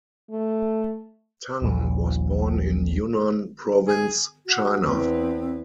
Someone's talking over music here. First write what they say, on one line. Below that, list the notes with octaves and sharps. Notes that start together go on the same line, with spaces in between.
Tang was born in Yunnan province, China.
A3
D#1 A#1
G#4
F#4
E2 C4 B4